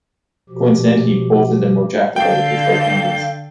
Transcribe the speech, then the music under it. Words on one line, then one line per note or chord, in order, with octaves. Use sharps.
Coincidentally, both of them were drafted by the Pittsburgh Penguins.
B2 F3 G4
D3 A4 F5 G5 G6